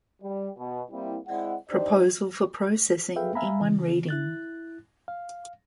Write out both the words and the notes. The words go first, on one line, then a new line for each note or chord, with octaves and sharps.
Proposal for processing in one reading.
G3
B2
G3 A#3 C4 E4
G#3 C4 E4 D5 F#5
D4 D#4 G4 C5 D5
G#4 A4 B4 E5 F5 G5
E5 F5 G#5 A#5 B5
C#3 E3
E4 F#6 A6
F5